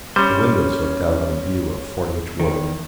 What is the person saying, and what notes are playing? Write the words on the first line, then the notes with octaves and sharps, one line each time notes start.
The windows looked out on a view of Fordwitch Wood.
G3 C#4 C5
E2 D#3